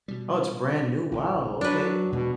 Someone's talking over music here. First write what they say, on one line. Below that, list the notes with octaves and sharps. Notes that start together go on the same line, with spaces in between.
Oh, it's brand new, wow, okay.
B2 G3
A1 D2 A2
F#2 F#3 D4 B4
E2 B2 G#3